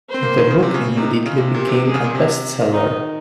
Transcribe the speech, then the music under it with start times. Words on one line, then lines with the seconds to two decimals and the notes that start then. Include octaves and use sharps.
The book immediately became a best-seller.
0.09 C5
0.14 C4
0.23 A#3
0.37 D#3
0.51 C#3
0.63 C3 C#4
0.74 C#3
0.97 C3 D#4
1.26 C#3 F4
1.39 C3
1.54 A#2 G4
1.67 C3
1.85 C3 G#4
1.94 C#3
2.04 A#2
2.15 C3
2.73 D#3 D#4